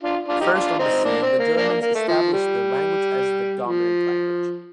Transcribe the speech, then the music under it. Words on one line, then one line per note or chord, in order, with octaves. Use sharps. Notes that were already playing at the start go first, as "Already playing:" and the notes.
First on the scene, the Germans established their language as the dominant language.
D4 F4
D4 F4
D#4 G4
D4 F4
C4 D#4
A#3 D4
C4
A#3
A#3 D4
A#3
A#3
A3
F3
G3
F3